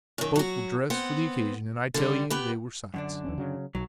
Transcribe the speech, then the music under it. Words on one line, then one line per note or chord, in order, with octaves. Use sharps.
Both were dressed for the occasion, and I tell you they were sights!
F#2 D#3
F#3 F#4
B3 C4 F#5
D3 G3
B3 G4 B4
F#2 D3 D4
D#2 E3 C#4
C#3 F#3
B1 F#3